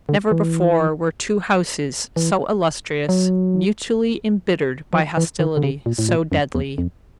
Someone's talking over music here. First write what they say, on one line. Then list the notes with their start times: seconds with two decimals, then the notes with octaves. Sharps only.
Never before were two houses so illustrious, mutually embittered by hostility so deadly.
0.09 D3
0.31 E3
2.16 E3
3.09 F#3
4.93 F3
5.17 E3
5.40 D#3
5.57 D3
5.63 C#3
5.86 A#2
5.98 A2
6.09 A#2
6.32 F#2
6.55 E2
6.78 F2